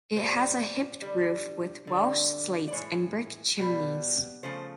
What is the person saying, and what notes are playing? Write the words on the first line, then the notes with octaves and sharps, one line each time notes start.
It has a hipped roof with Welsh slates and brick chimneys.
A#2 G3 C5
D3 G3
D3 G3
D5
A2 E3 G#3 C#5
B2 G3
C#3 F3 A3 C5